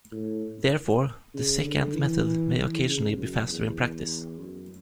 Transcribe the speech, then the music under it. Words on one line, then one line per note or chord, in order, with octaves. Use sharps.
Therefore, the secant method may occasionally be faster in practice.
A2
C#3
D3
E3
E3
C#3
F#2
E2
F#2